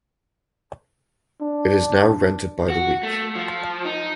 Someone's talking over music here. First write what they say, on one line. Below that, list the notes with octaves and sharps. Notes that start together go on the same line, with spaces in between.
It is now rented by the week.
D4
F#4
A3
F3
D#4